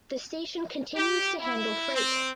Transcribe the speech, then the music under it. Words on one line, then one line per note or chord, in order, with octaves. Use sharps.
The station continues to handle freight.
G4
E4
C4